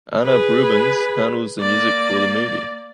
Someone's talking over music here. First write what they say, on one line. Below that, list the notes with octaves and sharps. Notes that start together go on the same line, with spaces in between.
Anup Rubens handle the music for the movie.
G#4 B4
A#3 D5